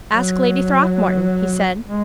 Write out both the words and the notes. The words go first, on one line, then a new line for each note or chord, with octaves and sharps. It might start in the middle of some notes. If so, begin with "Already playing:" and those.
"Ask Lady Throckmorton," he said.
F#3
G#3